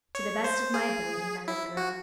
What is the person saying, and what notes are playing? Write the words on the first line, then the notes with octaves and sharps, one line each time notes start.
"To the best of my ability, my little girl."
C#5
C5
G#4
E4
F#4